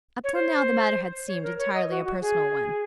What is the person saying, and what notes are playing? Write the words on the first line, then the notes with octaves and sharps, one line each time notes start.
Up till now the matter had seemed entirely a personal one.
C#5
C5
C#5
A#4
C#5
D#5
F#4
F#4
G#4